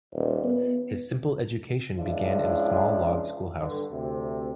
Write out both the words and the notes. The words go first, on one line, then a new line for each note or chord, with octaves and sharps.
His simple education began in a small log schoolhouse.
D#1
B3
C#2 F3 G#3 D4 E4 F4
G2 D3
D2 C3